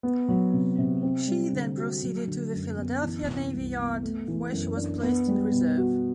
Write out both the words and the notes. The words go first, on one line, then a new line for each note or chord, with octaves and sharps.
She then proceeded to the Philadelphia Navy Yard where she was placed in reserve.
B3
F#3
C3
C3
C4
G3
D3
F#4
F#3
D3
F#2
B3
E3
C3
C2
B3
A3
E3
F#2
D4
B3
G3
B2
F#4